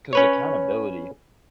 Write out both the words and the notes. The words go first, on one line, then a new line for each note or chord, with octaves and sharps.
'cause accountability
C#4 B4 C#5